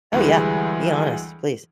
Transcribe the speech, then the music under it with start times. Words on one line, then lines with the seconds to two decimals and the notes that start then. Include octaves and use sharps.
Oh, yeah. Be honest, please.
0.13 D2 E3 G3 G#3